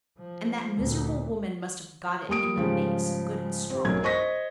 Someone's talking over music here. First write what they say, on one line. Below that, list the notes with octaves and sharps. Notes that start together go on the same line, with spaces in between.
And that miserable woman must have got it in the face, good and strong.
F3
D2 A#2
G3 A#3 D#6 D7
G#2 C#3 F3 G3
C4 G4
B1 F#3 C#4 A#4 G#6
C5 D#5 C#6 A#6 B6